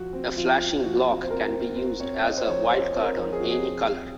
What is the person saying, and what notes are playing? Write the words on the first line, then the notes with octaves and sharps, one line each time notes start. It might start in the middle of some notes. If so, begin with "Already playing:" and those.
A flashing block can be used as a wildcard on any colour.
Already playing: F3 F#4
C4
F3 F4
C4
F3 F#4
C4
C5
C4 A#4
C4
C4 C5
C4 C#5
C4 D#5
C5
F3 C#5
C4 C5
C4
A#4
F3
G#4
F3 F#4
G#4
C4
C4